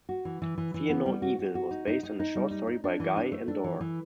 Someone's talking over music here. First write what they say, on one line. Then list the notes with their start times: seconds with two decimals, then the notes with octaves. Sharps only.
"Fear No Evil" was based on a short story by Guy Endore.
0.09 F#4
0.25 E3
0.42 E3
0.58 E3
0.74 E3
0.89 B3
1.06 G3
1.22 F#4
1.39 F#4
1.55 F#4
1.71 D#4
1.87 D#4
2.03 D#4
2.20 D#4
2.35 G3
2.51 D#4
2.67 D#4
2.84 D4
3.00 E3
3.17 D4
3.32 A3
3.48 D4
3.64 E3
3.81 E3